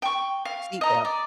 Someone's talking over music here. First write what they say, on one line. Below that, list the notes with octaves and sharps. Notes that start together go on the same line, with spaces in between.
Seat belt.
G5 C#6
F5
D#5 A#5
D5